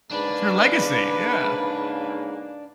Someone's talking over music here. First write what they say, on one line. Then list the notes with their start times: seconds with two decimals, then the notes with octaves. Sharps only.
It's her legacy, yeah.
0.11 G#2 C#3 A#3 D4 B4